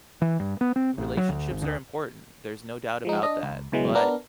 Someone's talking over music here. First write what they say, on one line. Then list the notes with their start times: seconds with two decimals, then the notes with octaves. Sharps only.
relationships are important. There's no doubt about that. But,
0.22 E3
0.40 G2
0.61 B3
0.76 C4
0.98 A1
1.17 F#3
1.29 D2
1.51 G#1
1.62 D2
3.05 F3 G#3 D#4
3.23 D4 D#5
3.43 C#2
3.72 C#2 B2 E3 F#3 G#3
3.95 B3 D4 A#4